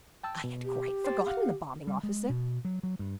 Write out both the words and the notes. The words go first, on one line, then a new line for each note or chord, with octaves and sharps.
I had quite forgotten the Bombing Officer.
G5 A5 E6
B2
G4
C5 G5 A6
F5 F#5
G3
G#3
B2
F#3
F#3
G2